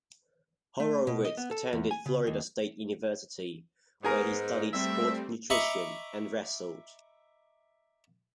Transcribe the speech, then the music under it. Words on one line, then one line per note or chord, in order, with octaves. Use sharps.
Horowitz attended Florida State University, where he studied sports nutrition and wrestled.
A3
B2
D#5
B3
A4
E2
G#5
C#3
D#2
G#2 B3 G#4 A#4
G3 A3 C4 E5
D#5 E5 A#5 B5 C#6 D6